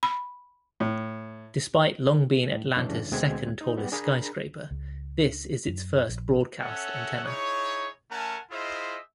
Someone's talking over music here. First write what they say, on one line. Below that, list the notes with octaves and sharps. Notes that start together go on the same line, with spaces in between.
Despite long being Atlanta's second-tallest skyscraper, this is its first broadcast antenna.
B5
A2
A2
F#2 C#3 E3 G#3 C#4 D4
D2 B2 D3 G#3 C4 G#6
D#4
G3 B3 G4
D4 G#4 A#4 A#5 B5
C#2
F#2
A#1
C#4 A4 C#5 E5 F#5
D#4 E4 G#4 C#5
A3 C#4 A#4 F#5 G#5 A5
E4 F4 G#4 C5 D#5 E5